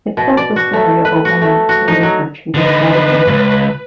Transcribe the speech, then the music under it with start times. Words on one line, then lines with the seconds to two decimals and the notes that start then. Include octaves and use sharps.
It tells the story of a woman leaving her cheating boyfriend.
0.17 B2
0.37 D5
0.56 F#4
0.73 A3
1.05 B4
1.25 F#4
1.42 A3
1.69 F#4
1.88 D#4
2.03 F#3
2.54 D3 D#4 B4
3.27 C#2 G2